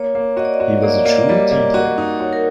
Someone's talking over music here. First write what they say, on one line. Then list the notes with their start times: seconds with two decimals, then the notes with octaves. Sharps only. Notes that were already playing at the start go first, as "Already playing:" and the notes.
He was a true team player.
Already playing: A#3 C#5
0.15 A#3
0.37 F#4 D#5
0.45 D5
0.54 D#5
0.60 F#4
0.82 A#3 D5
0.94 D5
1.05 A#3 D#5
1.29 G3 D#5
1.51 A#3 D5
1.74 F#4 D#5
1.98 D#4
2.19 F#4 C#5
2.33 A#4